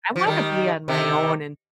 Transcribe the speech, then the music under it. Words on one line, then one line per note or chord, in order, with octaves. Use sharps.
I wanna be on my own, and
F3
D#3 G3
C3 D#3